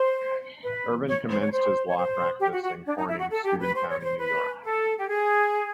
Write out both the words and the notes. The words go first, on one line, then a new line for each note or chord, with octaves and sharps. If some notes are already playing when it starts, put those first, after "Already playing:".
Irvine commenced his law practice in Corning, Steuben County, New York.
Already playing: C5
B4
C#5
C5
C#5
C5
C#5
C5
G4
F#4
F#4
D4
D#4
E4
F#4
A4
G4
B4
C5
C#5
C#5
C5
B4
A4
G4
G#4